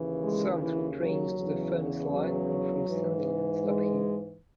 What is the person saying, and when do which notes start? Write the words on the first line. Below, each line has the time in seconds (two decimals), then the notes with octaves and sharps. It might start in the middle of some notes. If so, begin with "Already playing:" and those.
Some through trains to the Furness Line and from Sunderland stop here.
Already playing: D#2 C#3 E3
0.23 G#3
0.61 E3
0.98 F#3
1.36 E2 C#3 E3
2.11 F#3
2.87 G#2 E3
3.63 G#3